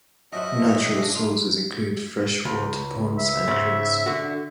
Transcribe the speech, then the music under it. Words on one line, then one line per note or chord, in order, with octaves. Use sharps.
Natural sources include freshwater ponds and creeks.
F#2 F3 F#4 D#5 E5
E3 F#3 C#5
C3
C#3 D4
E4 F4
C#2
E5
G#2 C#3
D3 F#4